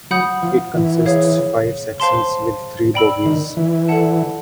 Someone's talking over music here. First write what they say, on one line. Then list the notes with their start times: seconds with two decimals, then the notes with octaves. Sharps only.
It consists five sections with three bogies.
0.11 F#3 F#5 B5 D#6 G6
0.43 F3
0.74 E3
1.06 G#4 C#5 F5
2.00 C5 F5 A5 C6
2.94 D5 G5 B5 E6
3.26 D#3
3.57 E3
3.88 A4 D5 F#5 A5